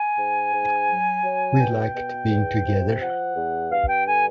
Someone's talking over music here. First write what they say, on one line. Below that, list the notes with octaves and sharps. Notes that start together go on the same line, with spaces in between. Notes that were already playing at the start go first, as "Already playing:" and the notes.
We liked being together.
Already playing: G#5
G#2
G#2
F#3
F#3
B2 G5
B2
E2
C3
F3 F#5
E2
G2 F5
G5
D3 G#5